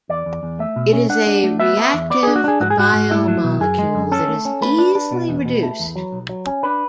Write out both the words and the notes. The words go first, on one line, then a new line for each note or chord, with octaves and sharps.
It is a reactive biomolecule that is easily reduced.
E2 D5
E2
E2
A3 E5
B2
C#4
D4 F#5
D4
A3
B3 E5
B3
E2
B3 D5
D4 G#4
F#4
D4 G#4
G#2 F#4
G#4
G#2 F#4
G#2
A3 E4
F#3
B2
F#2 G#4
G#3
F#2
C#4 A4
A3
C#4
A3 B4
D4
D4
B2
E2
B2
A3
E2
F#3
B1
F#3
C#4
D4 B4